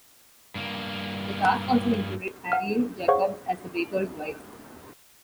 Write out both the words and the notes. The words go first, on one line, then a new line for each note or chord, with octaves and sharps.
The cast also included Arielle Jacobs as The Bakers Wife.
G2 A#3
F#5 F6
G#4 C5 C#5 F5 F#5 C#6